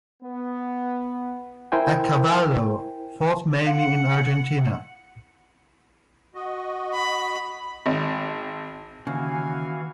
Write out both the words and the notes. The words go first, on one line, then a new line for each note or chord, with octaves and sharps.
Accavallo fought mainly in Argentina.
B3
E4 A#4 C5 G5 G#5
F5 F#5
F#4 D#5
B5
G#1
D#2 C#3 E3 F#4 F5 G#5